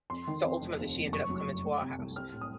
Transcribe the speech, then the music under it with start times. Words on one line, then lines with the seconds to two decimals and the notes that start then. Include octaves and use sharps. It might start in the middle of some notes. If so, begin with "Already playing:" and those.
so, ultimately, she ended up coming to our house,
0.10 F2 C6
0.27 D#3
0.44 F2
0.61 F1
0.79 D#2
0.96 F1
1.13 F#1 C#6
1.30 F#2
1.47 F#1
1.64 A3
1.82 C3
1.99 C2
2.16 C4 F6
2.34 A2
2.41 D#6